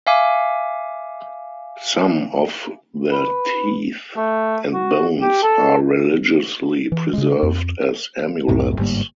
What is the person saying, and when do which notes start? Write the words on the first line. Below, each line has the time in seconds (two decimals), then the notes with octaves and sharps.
Some of their teeth and bones are religiously preserved as amulets.
0.07 E5 F5 G#5 D6
3.12 B4
4.17 A3
4.73 F#4
5.22 G4
5.43 A4
6.92 E3
7.13 C#3 G#3
7.43 F2
8.48 C2 F#2 A2 C3
8.77 G1 G#2 G3 A#3